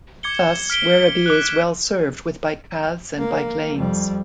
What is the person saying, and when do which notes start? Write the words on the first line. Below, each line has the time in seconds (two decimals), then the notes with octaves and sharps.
Thus Werribee is well served with bike paths and bike lanes.
0.23 D6 G#6 C#7 G7
0.70 F6 B6 D7 G7
1.26 D6 F#6
3.18 A#3
3.77 F2 G3